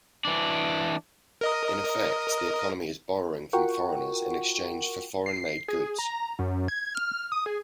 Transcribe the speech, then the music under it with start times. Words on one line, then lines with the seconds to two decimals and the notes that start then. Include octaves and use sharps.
In effect, the economy is borrowing from foreigners in exchange for foreign-made goods.
0.25 E3 D4
1.41 A#4 D#5 D#6
3.53 F4 F#4 A#4 F#5 G5 C#6
5.26 C7
5.68 G#4
5.99 A#5
6.39 F#2
6.68 G#6
6.95 F6
7.32 D#6
7.46 G#4